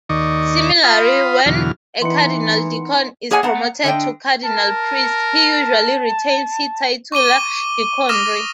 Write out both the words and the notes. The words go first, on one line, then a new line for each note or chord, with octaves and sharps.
Similarly, when a Cardinal-Deacon is promoted to Cardinal-Priest he usually retains his titular deaconry.
D#2 D#3 D5 D#5 C#6
F4 F5 B5 C6 D#6
E2 B2 D3 E3 F#3 F6
D#3 E3 B3 D#4 C6 C#7
A#3 G#4 C#5 D#5 F#5 G#5
B3 F#5 A#5
D3 D#5 G5
A#4 A5
C#6 D6 D#7 G7
D6 D#6 F6 A#6 E7 G7